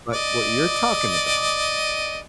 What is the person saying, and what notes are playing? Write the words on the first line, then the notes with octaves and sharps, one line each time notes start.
but what you're talking about
D5 D#5